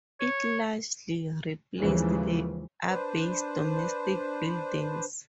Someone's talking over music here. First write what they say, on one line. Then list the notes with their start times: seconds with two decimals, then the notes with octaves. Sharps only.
It largely replaced the abbey's domestic buildings.
0.20 C#5
1.77 D#2 C#3 E3 F3 G#3
2.88 D4 B4 C5